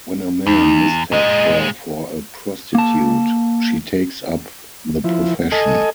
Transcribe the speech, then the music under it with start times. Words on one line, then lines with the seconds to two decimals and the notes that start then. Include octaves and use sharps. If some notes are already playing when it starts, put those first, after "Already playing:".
When a man mistakes her for a prostitute, she takes up the profession.
0.47 E2 D#4
1.12 A#2 G#3 D#5
2.75 A#3 A5
5.04 F3 E4
5.52 A4 D#5 G#5